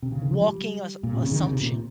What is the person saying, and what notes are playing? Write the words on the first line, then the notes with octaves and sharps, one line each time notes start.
walking assu assumption.
C3
C#3
D#3
F3
G3
A#2
C3
C#3
D#3
C#3
C3
A#2